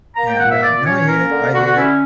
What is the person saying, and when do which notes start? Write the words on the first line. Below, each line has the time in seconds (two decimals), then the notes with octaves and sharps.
And, uh, now I hate it, I hate it.
0.16 A#3 A#5
0.28 G5
0.39 A#2 F#5
0.50 E5
0.63 A#2 D5
0.85 C#4 C#5
1.08 A#3 A#4
1.30 D3
1.54 D3 F#4
1.66 F#4
1.77 C#4 E4